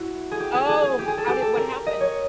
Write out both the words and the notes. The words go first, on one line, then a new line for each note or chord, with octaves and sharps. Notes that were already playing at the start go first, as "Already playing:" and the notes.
Oh, how did what happened?
Already playing: E4 F#4
G#4
G4
G#4
G#4
G#4
G4
G#4
A4
G4
A4
A#4
D#5
C#5